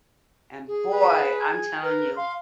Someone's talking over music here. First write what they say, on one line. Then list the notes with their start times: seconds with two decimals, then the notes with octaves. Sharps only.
And boy, I'm telling you,
0.68 G#4
0.93 B4
1.41 G#5
1.83 A#4 B4
2.17 F5 C6